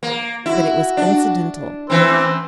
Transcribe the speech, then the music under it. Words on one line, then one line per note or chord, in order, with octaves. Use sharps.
But it was incidental.
A#3
E4 F#4
D4
E3 C4 B4 C6 E6